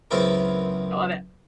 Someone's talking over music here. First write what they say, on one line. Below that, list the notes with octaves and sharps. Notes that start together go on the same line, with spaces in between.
I love it.
C#2 F#2 B3 C4 E4 A#4